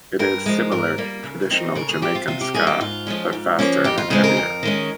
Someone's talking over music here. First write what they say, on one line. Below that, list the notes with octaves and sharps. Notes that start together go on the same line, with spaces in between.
It is similar to traditional Jamaican ska, but faster and heavier.
G2 A#4
F3 G#3
G#2 A#4
G3 A#3
C#3
F3 C4 D#4
C#3 A#4
G#4
F3 C4 G4
F4
C3 F4
G4
G3 A#3 D#4 G#4
G4
G#2 F4
F3 G#3 C#4
G#2
F3 A#3 C#4
F2 G4
F4
C#3 G#3 C4 G#4
A#4
F2
D#3 G#3 C#4